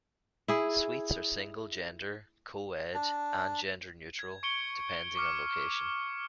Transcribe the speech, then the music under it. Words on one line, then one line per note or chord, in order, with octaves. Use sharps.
Suites are single gender, co-ed and gender neutral, depending on location.
E4 G#4
D4
G#6
C#6 C#7 D7 G7
C#6 D6 F6 C#7